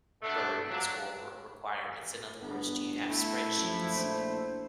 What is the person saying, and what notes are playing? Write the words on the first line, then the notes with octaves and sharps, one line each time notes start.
burdens or requirements? In other words, do you have spreadsheets
B2 A3 D4
F3 F#3 D4
G1 B3
A3 E4
F#2 F3
A#1 C5